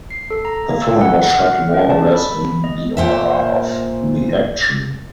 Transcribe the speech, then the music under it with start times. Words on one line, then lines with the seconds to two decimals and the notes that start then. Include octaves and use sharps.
The film was shot more or less in the order of the action.
0.10 C7
0.30 A4
0.45 A#5
0.70 A#3
0.82 E6
1.01 F#5
1.23 F#5
1.39 F6
1.74 C#4
1.90 A5
2.15 B5
2.64 D#5
2.97 A#2 C5 E5